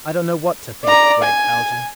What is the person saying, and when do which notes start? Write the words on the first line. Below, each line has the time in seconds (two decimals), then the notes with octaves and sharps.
"I don't know what to think, Gregg Haljan...."
0.84 D5 A#5
1.23 G#5